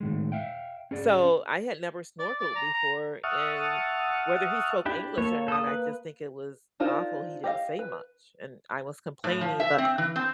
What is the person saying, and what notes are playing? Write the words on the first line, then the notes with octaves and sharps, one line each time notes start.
So, I had never snorkeled before, and whether he spoke English or not, I just think it was awful, he didn't say much, and I was complaining, but
A2 D#3 G#3
E5 F5 G5
C#4 G#4 D5
D5
D5
A#5
A#5
E5 F#5 A5 C#6 D#6 F6
D4 E4 G4
A#3 A4 C#5
A4 D#6
B4
D4 D#4 F4 A#4 C5
G4 D#5 F5
B4
A2
F3
E5
C4
E3
C4